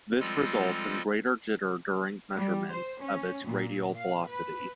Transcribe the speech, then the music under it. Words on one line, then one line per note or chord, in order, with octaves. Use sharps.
This results in greater jitter during measurements of its radial velocity.
F3 G3 G#3 C4 F4 A4
G3
C5
C#4
A#2
F5
B4